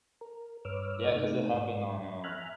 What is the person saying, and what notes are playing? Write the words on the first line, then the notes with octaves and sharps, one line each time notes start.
Yeah, 'cause it happened on, um,
A#4
G2 B4 C#5 D6 E6 F6
C3 A3 D#4
G#2
E5 G#5 A#5 B5 F6 F#6